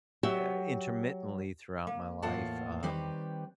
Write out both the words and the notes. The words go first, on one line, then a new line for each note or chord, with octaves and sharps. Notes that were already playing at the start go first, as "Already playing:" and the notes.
eh, intermittently throughout my life, um,
F#3 F#4 G4 E5
A#3
E2 A2 A#3 F4 F#5 A5
D#3 G3 C4 G4 B4